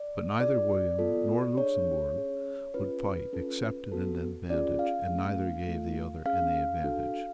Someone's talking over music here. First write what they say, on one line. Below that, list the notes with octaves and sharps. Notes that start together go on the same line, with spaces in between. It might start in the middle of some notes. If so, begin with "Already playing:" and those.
But neither William nor Luxemburg would fight except at an advantage; and neither gave the other any advantage.
Already playing: D5
D4 F4 G#4 D5
B3 F4 A4
D4 G#4 C#5
C#4 G#4
C#4 F4 G#4 B4
C#4 F4 A4
B3 F#4 A4
C#4 F4 G#4 D5
F5
A3 C#4 G#4
A3 F4 A4
C#4 G#4 F5
D4 F#4 A4